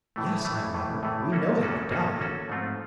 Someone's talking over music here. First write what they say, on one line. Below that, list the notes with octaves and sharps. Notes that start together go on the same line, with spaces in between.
"Yes," I muttered, "we know how to die!"
A2 E3 A3
A2 E3 A3
A2 E3 A3
A2 E3 A3
A#3 C#4 F#4 A4
A#3 C#4 F#4 A4
A#3 C#4 F#4 A4
A#3 C#4 F#4 A4
G#2 F3 A3 C4 F4